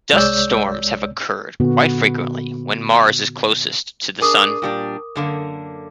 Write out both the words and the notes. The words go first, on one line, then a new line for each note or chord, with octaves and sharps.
Dust storms have occurred quite frequently when Mars is closest to the Sun.
C2 G#3 C#5 D5 E6 G6
A#2 D3 B3 F#4
D4 G#4 A#4 D6 D#6
A#2 G3 D4
F#2 D3 A#3